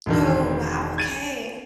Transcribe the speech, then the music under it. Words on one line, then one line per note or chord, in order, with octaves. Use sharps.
Oh, wow, okay.
E1 D3 D#3
G#6 A6 D#7